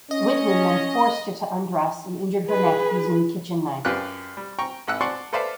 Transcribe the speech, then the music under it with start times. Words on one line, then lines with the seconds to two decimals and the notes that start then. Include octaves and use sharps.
Wittmann then forced her to undress and injured her neck using the kitchen knife.
0.11 C#4 D#5
2.47 G#4 B4
3.85 F#2 F4 G4 B4 D5 F#6
4.37 G3
4.59 G5 A#5 C#6
4.88 G#1 F#5 E6 F#6
5.01 D5 F#5 A5 C6 C#6
5.33 A4 B4 C5 D5 E5 F5